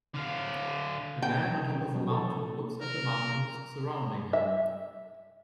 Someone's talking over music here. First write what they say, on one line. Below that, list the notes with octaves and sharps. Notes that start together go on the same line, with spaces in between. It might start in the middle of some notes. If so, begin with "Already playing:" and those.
A man on top of a mountain looks at the mountains surrounding him.
D3 F5
G5
C#4 G4
F#3
A4
A#4
E5